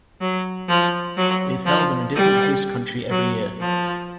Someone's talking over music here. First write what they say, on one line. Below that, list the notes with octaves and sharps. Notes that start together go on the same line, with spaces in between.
It is held in a different host country every year.
F#3
F3
F#3
F3
G3
F#3
F3